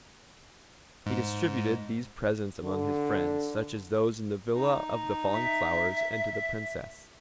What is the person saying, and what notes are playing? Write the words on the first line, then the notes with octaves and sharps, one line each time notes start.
He distributed these presents among his friends, such as those in the villa of "the falling flowers," and to the Princess.
G#2
D3
D#4
E5